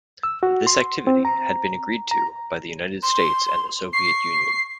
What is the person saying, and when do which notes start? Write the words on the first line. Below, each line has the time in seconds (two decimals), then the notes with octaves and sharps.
This activity had been agreed to by the United States and the Soviet Union.
0.23 E6
0.43 F#4
0.67 C6
1.07 C4
1.25 A#5
2.11 A#5
3.03 C6
3.93 C#6 C7